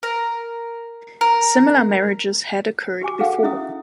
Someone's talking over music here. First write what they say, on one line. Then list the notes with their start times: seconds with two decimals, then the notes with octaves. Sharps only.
Similar marriages had occurred before.
0.03 A#4
1.21 A#4
3.01 F#4 G4 G#5 D6
3.19 F#4 G#4 A4 F5 F#5
3.43 C#4 E4 E5 D#6